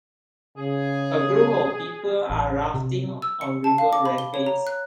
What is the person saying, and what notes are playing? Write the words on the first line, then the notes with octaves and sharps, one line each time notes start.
A group of people are rafting on river rapids.
C#3 G#4
A1
C3
E6
C#7
A5
F5
D6
B5
G7
C#5
A#5
F#6